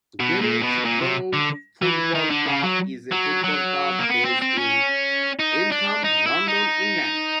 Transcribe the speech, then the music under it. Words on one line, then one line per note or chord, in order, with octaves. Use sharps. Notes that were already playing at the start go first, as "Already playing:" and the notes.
Greenwich Borough Football Club is a football club based in Eltham, London, England.
B2
A#2
B2
A#2
C3
D3
E3
D#3
D3
C#3
F#3
F#3
F#3
A#3
B3
C4
C4
C#4
D#4
D4
D#4
E4
D#4